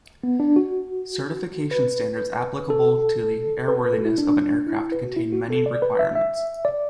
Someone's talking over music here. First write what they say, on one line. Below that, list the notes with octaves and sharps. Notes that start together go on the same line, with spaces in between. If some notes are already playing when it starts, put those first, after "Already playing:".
Certification standards applicable to the airworthiness of an aircraft contain many requirements.
B3
D4
F#4
B4
A4
B4
B4
A4
F#4
E4
D4
D4
E4
E4
B4
F#4
E4
F#4
A4
D5
B4
E5
E5
D5